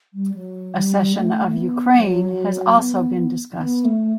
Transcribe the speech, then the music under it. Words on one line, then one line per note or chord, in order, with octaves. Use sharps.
Accession of Ukraine has also been discussed.
G3
F#3
G3
A3
A3
B3
F#3
B3
B3
A3